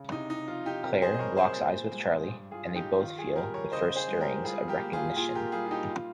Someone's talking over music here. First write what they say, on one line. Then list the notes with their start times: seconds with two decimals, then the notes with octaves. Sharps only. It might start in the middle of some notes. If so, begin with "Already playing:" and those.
Claire locks eyes with Charlie, and they both feel the first stirrings of recognition.
Already playing: C#3
0.11 C3 D#4
0.30 D#4
0.47 F3 F4
0.66 D#4 G4
0.83 C3 G4 A#4
1.02 G#4 C5
1.14 D#5
1.19 G3 A#4 C#5
1.37 G#4 C5
1.55 A#2
1.92 G#3
2.28 G2
2.51 F4 G#4
2.64 F3 F4
2.76 D#4 G4
3.00 D#3 F4
3.18 F4 G#4
3.36 G3 G4 A#4
3.54 A#4 C#5
3.72 C#3 C5 D#5
3.96 G#4 C5
4.08 G#3
4.20 G4 A#4
4.44 G3 F4 G#4
4.68 G4 A#4
4.81 A#3
4.93 F4 G#4
5.16 A#2 F4 G#4
5.35 G4 A#4
5.52 G3 F4 G#4
5.66 F4
5.71 D#4 G4
5.89 F4